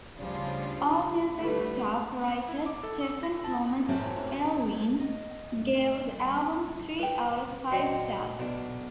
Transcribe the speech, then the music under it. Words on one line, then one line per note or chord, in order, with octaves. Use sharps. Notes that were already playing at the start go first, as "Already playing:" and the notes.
AllMusic staff writer Stephen Thomas Erlewine gave the album three out of five stars.
D2 C#3 F3 G3 D4 F4
D3 G3 A3 B4
C4
E4
D6
A4
E6
A#6
A5
F#2 A2 F#3 A3 C4 C#4
G4
D#5
B4 G5
F#3 D4 D#5 G5
B1 D4